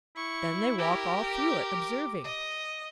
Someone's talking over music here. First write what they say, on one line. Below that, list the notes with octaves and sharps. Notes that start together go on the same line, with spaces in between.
"Then they walk all through it, observing."
E4 C#6
G4 A#4
D6
D#5